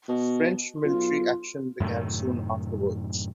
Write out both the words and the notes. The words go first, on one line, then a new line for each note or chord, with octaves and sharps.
French military action began soon afterwards.
B2
B1 F4
F#2 A2 C3 D#3